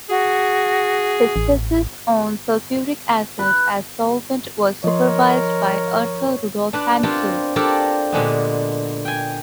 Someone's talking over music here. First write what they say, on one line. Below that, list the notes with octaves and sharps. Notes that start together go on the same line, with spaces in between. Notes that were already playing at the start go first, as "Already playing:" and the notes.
His thesis on sulfuric acid as solvent was supervised by Arthur Rudolf Hantzsch.
F#4 G#4
A1
B4
F3 A#4 C#5 D#5 C6
D4 B4 D5
B3 C4 D4 F4 G4 A#4
D4 F4 G4 A4 A#4 D5
A#2 D3 G#3 B3
G5 G#5